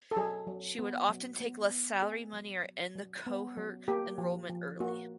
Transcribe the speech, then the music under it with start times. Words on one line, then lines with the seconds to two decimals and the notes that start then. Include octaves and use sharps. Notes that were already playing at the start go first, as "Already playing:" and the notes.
She would often take less salary money or end the cohort enrollment early.
0.11 A4
0.16 F#3 G#4
0.47 F#3
0.79 B3
1.09 F#3
1.40 B3
1.71 B3
2.02 B3 G#4
2.33 F#3
2.64 F#3
2.96 F#3
3.26 B3
3.57 F#3
3.88 A#3 G4
4.18 F3
4.50 F3
4.80 A#3 F#4